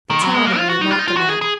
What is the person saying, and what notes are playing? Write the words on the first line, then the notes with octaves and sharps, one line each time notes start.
The town, I mean; not the men.
D#3
F#3
G#3
A#3
F4
F#4
D#4
F4
D#4
F4
F#4
G#4
G#4